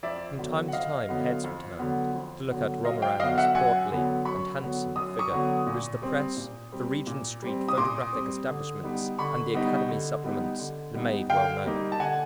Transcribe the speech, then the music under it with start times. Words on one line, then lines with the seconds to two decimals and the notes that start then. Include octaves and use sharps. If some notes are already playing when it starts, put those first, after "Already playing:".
From time to time heads were turned to look at Romarin's portly and handsome figure, which the Press, the Regent Street photographic establishments, and the Academy Supplements had made well known.
0.03 F2 D5 E5
0.39 D3 F#3 B3
0.68 F#5
0.73 F2 D#5 F5
1.09 D3 F#3 B3
1.44 F2
1.79 D3 F#3 B3
2.15 F2
2.49 D3 F#3 B3
2.84 F#2 D#5 F5
3.02 F5 G5
3.20 D3 F#3 B3 D#5 F5
3.37 E5 F#5
3.55 F#2 F#5 G#5
3.90 D3 F#3 B3
4.25 F#2 B5 C#6
4.61 D3 F#3 B3
4.96 F#2 D#6
5.19 C#6 D#6
5.31 D3 F#3 B3
5.66 A#2
6.02 G3 C4
6.37 A#2
6.72 G3 C4
7.07 A#2
7.43 G3 C4
7.69 D#6
7.77 A#2 C6 D6
8.13 G3 C4
8.48 D3
8.83 G3 B3 D#4
9.19 D3 B5 C#6
9.54 G3 B3 D#4
9.89 D3
10.24 G3 B3 D#4
10.59 D3
10.94 G3 B3 D#4
11.29 D3 F5 G5
11.65 G3 A#3 D#4
11.92 A5
12.00 D3 F#5 G#5